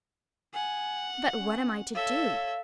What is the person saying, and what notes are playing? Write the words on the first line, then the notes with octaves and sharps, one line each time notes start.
"But what am I to do?"
F#5 G#5
C#4
A4 C#5 E5 F5